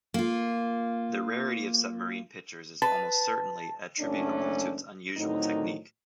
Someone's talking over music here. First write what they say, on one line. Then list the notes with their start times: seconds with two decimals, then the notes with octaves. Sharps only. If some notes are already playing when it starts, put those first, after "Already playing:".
The rarity of submarine pitchers is almost certainly attributable to its unusual technique.
0.14 A#3 F4
2.82 B4 A5
3.99 F#1 F#2 A3 C#4 D4
5.17 A2 D3 D#3 F#3 C4 D#4